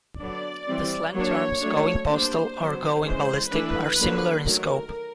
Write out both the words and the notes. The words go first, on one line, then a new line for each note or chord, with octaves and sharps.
The slang terms "going postal" or "going ballistic" are similar in scope.
D3 F#3 B3 D4 D5
E3 G3 C4
F#3 A#3 D4 C#5
F#3 A3 D4
G3 A#3 D4 C5
F#3 B3 D4
E3 G#3 C#4 C5
E3 A3 D4 B4
D3 F#3 A#3
D#3 F#3 A3 A#4